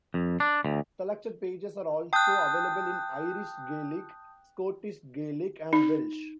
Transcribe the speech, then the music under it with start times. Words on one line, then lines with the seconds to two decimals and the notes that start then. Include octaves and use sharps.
Selected pages are also available in Irish Gaelic, Scottish Gaelic and Welsh.
0.14 F2
0.40 D4
0.65 D2
2.13 G5 A5 D#6 F#6 G6
5.73 D#4